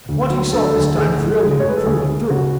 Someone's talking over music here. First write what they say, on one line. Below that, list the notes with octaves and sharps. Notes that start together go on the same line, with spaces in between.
And what he saw this time thrilled him through and through.
D2
F#3
D3 A4
D2
A4
A2 G#4
A2
G#3 G#4
C#5
G#3 B4
A4
D2 G#4
G#3
C#3 F#4